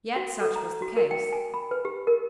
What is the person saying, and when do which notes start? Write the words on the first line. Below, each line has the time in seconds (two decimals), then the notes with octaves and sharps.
Yet such was the case.
0.16 F#4
0.41 A4
0.56 A#5
0.82 F#4
0.97 A#4
1.11 G5
1.33 G#5
1.54 B5
1.71 B4
1.85 G4
2.07 A#4